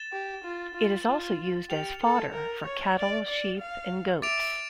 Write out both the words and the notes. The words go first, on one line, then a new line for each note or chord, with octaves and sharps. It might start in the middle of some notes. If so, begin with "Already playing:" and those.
It is also used as fodder for cattle, sheep and goats.
Already playing: A6 E7 G7
G4
F4
F4
F4
G4 F6 C#7 F7
A4
A#4
C#5
D5
D5
F5
E5 D6 A6 D7 F7